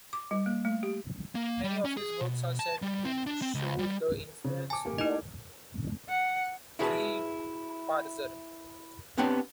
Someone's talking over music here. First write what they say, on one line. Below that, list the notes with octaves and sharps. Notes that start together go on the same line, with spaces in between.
Many of his works are said to show the influence of Grillparzer.
D6
G3
A#3
A3
G4
A#3
G3
C#4
G#4
B2
A5
G3
C4
D4
C4
C#2
G3
C#3
G#5 A5 D6
A3 A#3 G4
D#4 E4 D#5
F#5
E4 F#4 G#4 B4 A5
B3 C4 D4 G4 B4 C#5